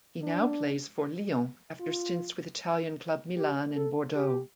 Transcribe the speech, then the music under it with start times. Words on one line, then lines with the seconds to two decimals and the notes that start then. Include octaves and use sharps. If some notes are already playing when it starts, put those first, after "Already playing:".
He now plays for Lyon after stints with Italian club Milan and Bordeaux.
0.23 D4
1.80 F4
3.37 G4
3.77 A4
4.16 G4